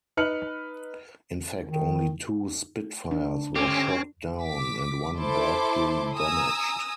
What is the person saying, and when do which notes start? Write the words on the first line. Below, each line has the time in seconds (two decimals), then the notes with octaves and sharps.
In fact, only two Spitfires were shot down and one badly damaged.
0.17 D#4 B4 F6 C#7 F#7
1.66 D#3
3.11 D4
3.56 D3 C4 C#4 G4
4.42 D6 B6
5.18 E4 A4 C5 A5 C6 D6
6.15 G#5 A#5 D#6 E6